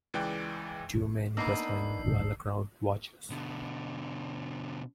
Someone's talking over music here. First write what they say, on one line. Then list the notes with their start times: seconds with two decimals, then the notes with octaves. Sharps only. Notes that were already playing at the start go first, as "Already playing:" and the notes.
Two men wrestling while a crowd watches.
0.14 C#2 E3 G#3 D5 G5 F#6
1.37 A#3 B3 D4 D#4 B4 E6 C7
3.30 B2 D3